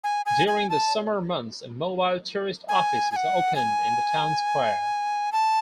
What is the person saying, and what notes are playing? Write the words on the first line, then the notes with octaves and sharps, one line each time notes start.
During the summer months, a mobile tourist office is opened in the town square.
G#5
G#5
G#5
A5
G#5
G#5
F#5
G#5
A5